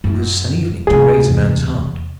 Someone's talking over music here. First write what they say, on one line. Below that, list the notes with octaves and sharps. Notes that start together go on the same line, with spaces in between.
It was an evening to raise a man's heart.
F#2
D2 C3 G#4
E2